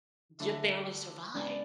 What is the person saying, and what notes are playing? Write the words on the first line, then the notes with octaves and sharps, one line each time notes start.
you barely survive,
D3 F#3 A3 E4 E5
C#3 G#3 B3 D4 D5